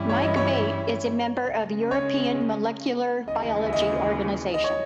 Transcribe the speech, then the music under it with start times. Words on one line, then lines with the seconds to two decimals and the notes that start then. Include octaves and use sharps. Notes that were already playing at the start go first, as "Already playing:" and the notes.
Mike Bate is a member of European Molecular Biology Organization.
Already playing: G2 E3 G3 C#4 E4
0.09 C#5
0.22 D#5
0.36 C#5
1.45 C#3 G#3 C#4
1.91 C#5
3.27 D#2 C#3 E3 G#3 D#5
3.42 D#5
3.66 E5
3.73 D#5
4.54 D#5
4.64 C#5